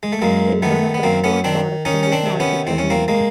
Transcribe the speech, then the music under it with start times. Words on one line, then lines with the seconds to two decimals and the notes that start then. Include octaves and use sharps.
It was one of the first products in this market segment.
0.03 G#3
0.12 A3
0.22 F#2 G#3 A#3
0.62 D#3 A3 B3
0.94 B3
1.03 F#2 A#3 C4
1.24 B3 C#4
1.44 D#3 C4 D4
1.85 D#3 C#4 D#4
2.03 C#4
2.12 C4 D4
2.26 C3
2.40 B3 C#4
2.67 E2 C4
2.78 C#4
2.90 A#3 C4
3.08 G#3 A#3